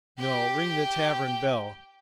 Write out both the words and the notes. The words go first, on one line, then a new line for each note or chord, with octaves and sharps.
"No. Ring the tavern bell!"
G4 G5